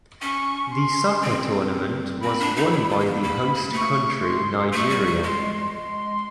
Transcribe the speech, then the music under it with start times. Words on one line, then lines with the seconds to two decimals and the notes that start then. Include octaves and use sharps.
The soccer tournament was won by the host country Nigeria.
0.22 C#4 C#6
0.72 C6
1.22 C4
2.22 C4 B5
2.39 D4
2.56 D#4
2.73 E4
2.89 F4
2.99 A#3
3.06 B3
3.22 A#3 B5
3.56 A#3
3.73 A3 C#6
4.23 C6
4.73 A3 C#6
4.90 G3
5.06 G3
5.23 G#3 C6
5.73 C6